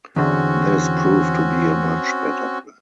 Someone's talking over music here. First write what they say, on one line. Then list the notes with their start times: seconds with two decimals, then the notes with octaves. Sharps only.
This proved to be a much better plan.
0.16 E2 D3 C4 C#4 F#4